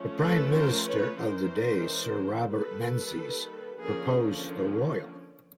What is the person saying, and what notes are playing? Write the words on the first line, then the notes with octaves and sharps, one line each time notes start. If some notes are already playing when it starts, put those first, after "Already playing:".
The Prime Minister of the day, Sir Robert Menzies, proposed the 'royal'.
Already playing: F3 A3 C#4
A4 B4
A#4 C5
B4 C#5
E3 G#3 C#4 A#4 C5
D#3 G3 A#3 A4 B4
D3 F3 A#3 C#4 G#4 A#4